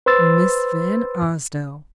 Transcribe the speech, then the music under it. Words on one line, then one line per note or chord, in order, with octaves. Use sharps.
"Miss Van Arsdale!"
B4 C5 C6 E6 A6